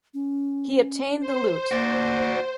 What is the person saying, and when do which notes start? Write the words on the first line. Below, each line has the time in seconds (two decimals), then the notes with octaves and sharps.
He obtained the Lieut.
0.14 C#4
1.20 C5
1.71 A#3 F#4 D5